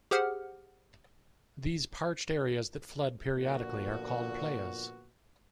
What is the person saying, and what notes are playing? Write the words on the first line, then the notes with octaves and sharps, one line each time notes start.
These parched areas that flood periodically are called playas.
G4 G#4 C5 F#5 F6
A#2 D3 F3 B3 F#4